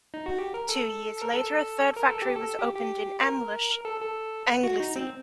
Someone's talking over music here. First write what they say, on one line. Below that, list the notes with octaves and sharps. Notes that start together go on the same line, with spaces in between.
Two years later a third factory was opened in Amlwch, Anglesey.
D#4
F#4
G4
A#4
A4
A#4
A4
A#4
A4
G4
A4
G4
G4
A#4
A4
A4
F#4
D#4
C4